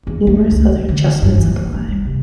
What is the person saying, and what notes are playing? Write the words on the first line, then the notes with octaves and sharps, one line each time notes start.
Numerous other adjustments apply.
E2
A3
C#2
D#2
D3
G2
E3
D#2
D#1
G3
C3